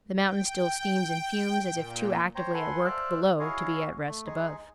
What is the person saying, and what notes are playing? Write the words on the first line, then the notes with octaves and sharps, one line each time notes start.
The mountain still steams and fumes, as if too actively at work below to be at rest above.
G5
A#2
C5 C#5 G5 A#5
A4 B4 F#5 G#5 C6
C5 D5 E5 F5 F#6
E4 F#4 G#4 C#5 D#5 F5
A3
G#3 D#4 G#4